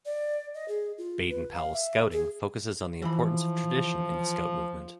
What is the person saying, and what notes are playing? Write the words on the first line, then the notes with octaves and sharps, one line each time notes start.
Baden-Powell Scouting focuses on the importance of tradition in the Scout Movement.
D5
D#5
G#4
F4
B4
F5
E5
G#4
E3 F3 B5